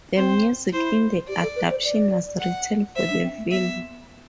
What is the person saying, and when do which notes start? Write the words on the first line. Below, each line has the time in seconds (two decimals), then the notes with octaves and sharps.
The music in the adaptation was written for the film.
0.17 C4 C5
0.73 E4 C5
1.28 G4 D5
1.42 A4
1.56 B4
1.70 C5
1.84 D5
2.40 F#5
2.96 C5 E5
3.10 D4
3.23 C4
3.38 A3
3.51 B3 E5